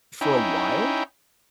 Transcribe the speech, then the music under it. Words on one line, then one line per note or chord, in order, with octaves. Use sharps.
for a while
C#4 D#4 E4 G5